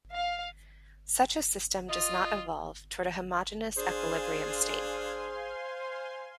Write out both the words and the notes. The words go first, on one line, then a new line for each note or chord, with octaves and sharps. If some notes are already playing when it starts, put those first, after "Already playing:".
Such a system does not evolve toward a homogeneous equilibrium state.
F5
F4 D#5
D4 G#4 C5 F5 G#5 C6